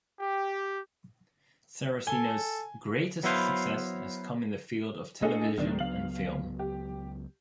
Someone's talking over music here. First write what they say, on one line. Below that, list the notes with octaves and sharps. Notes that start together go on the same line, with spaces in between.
Saraceno's greatest success has come in the field of television and film.
G4
A4 G#5 G7
F#3 B3 E4 B4 C5 F5
A3 D4 G#4 A4 D#5
C#2 D#3 F#3 B3 D4
F5 F#7
G4